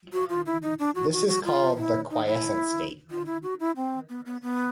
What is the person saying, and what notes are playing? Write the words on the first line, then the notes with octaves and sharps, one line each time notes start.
This is called the "quiescent" state.
F#4
F4
E4
D#4
D4
F#4
F#4
F#4
F4
E4
D#4
E4
F4
E4
F#4
E4
C4
B3
B3
B3